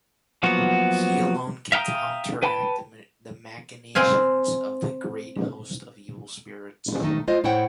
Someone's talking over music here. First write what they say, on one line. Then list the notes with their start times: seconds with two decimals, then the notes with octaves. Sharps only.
He alone can counteract the machinations of the great host of evil spirits.
0.43 F3 F#3 A#3 B3 F#4
1.72 E5 F5 G5 A#5 D#6
2.43 B4 G5 A5 B5
3.95 C4 F5 G#5
7.02 D#3 A3 D#4
7.27 G#3 F4 C5 D#5
7.44 A2 E4 C5 C#5 F#5 G5